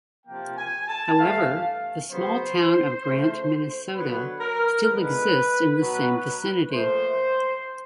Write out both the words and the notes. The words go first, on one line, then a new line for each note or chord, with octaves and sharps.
However, the small town of Grant, Minnesota, still exists in the same vicinity.
C3 F3 A#3 G5
G#5
A5
G2 E3 A3 F5
C#3 F#3 B3 C5
C#3 F3 A3
D3 F#3 B3 B4
A#4
D3 F3 G#3 B3 B4
B2 F#3 B3
A#2 F3 A3 C5